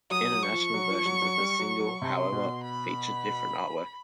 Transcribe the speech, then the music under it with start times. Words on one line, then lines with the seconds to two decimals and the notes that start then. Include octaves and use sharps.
International versions of the single, however, featured different artwork.
0.11 F#3 D#6
0.32 F#3
0.42 C#6
0.52 F3
0.74 F#3
0.90 F3
1.05 F#3
1.22 F#3
1.38 G3
1.59 F#3
1.80 F#3
2.01 C3 C6
2.32 B2
2.64 B5